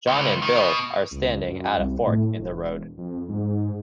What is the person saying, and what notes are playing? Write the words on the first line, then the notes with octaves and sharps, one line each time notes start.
John and Bill are standing at a fork in the road.
C#2
D#3
B2
C#2
F#2
C2
A2
E1
F2
G#2